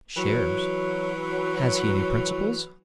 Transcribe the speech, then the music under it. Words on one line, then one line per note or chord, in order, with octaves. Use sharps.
Shares. Has he any principles?
E3 F#3